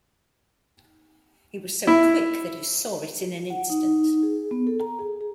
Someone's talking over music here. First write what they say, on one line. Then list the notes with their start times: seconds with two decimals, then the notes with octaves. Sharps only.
He was so quick that he saw it in an instant.
1.87 E4
3.50 F#5
3.70 D#4
4.23 G#4
4.51 B3
4.67 A4
4.81 A#5
4.99 G#4
5.21 G#4